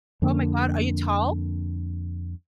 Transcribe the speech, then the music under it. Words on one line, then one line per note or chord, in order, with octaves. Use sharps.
Oh my God, are you tall?
F2 D3 A#3